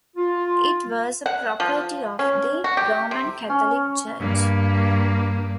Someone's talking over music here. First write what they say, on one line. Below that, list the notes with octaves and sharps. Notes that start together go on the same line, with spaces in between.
It was a property of the Roman Catholic Church.
F4
F#5
F3
C#4
F#4
G4
C3
C#4
G2 A#3